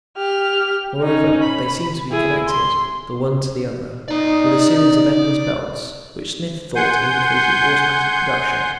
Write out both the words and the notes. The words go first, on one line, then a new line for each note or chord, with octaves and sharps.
Moreover, they seemed to be connected, the one to the other, with a series of endless belts, which Smith thought indicated automatic production.
G4 F6
C#4 D#4
B5
E4 G#4
C6
D#4 D5 A#5
F#5 G#5 C6 G6